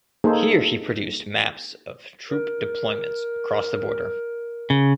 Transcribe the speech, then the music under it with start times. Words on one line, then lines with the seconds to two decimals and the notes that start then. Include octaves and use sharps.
Here he produced maps of troop deployments across the border.
0.24 A#3 D#4 G#4 A4 C5
2.30 A#4
4.70 C#3